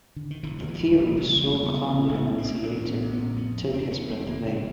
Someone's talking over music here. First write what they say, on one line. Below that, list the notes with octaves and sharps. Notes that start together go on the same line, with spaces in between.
The theory so calmly enunciated took his breath away.
D3
D#3
E1 D3 E3
F3
D2
E3 F#3
E1
F3 G3
E1
C#3 F#3 G#3
E1
G3 A3
E1
B3 C#4
E1
A1
A1
B3 C#4
A1
C4 D4
A1
A1 C4 D4
A2 D4
B3 C#4
A1
B3 C#4
A2
F2 B3 C#4
F1
F2 C4 D4
F1 B3 C#4
F1 A#3 C4
C#3 A#3 C4
F1 C4 D4